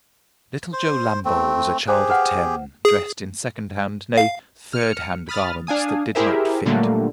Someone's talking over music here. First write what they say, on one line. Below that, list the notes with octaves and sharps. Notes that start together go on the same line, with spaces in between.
Little Joe Lambole was a child of ten, dressed in second-hand, nay, third-hand garments that did not fit.
C5
A3 C4
G4 G#4 C5
B4 F5 F#5
G#4
F5
F6 C#7
B5 D#6 F6 A6
D4 F5 G#5 D#6
E4 G4 G#4 A#4 C5 E5
A#2 D3 F#3 G3 A3 A#3